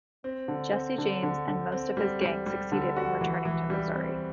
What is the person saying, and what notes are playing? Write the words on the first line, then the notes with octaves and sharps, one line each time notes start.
Jesse James and most of his gang succeeded in returning to Missouri.
C4
D3
C4
D3
D3
D3
C4
G3
G3
G3
D3
F#4
E3
E3
G3
C4